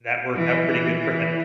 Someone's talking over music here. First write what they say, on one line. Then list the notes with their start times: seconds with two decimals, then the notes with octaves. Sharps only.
that worked out pretty good for him.
0.35 E3
0.66 E3
0.98 E3